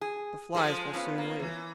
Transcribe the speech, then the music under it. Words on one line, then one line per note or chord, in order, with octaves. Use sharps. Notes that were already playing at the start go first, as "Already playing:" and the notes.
The flies will soon leave.
G#4
F3 G#3 A4 C5
B3 C#4 F4
A#3
E3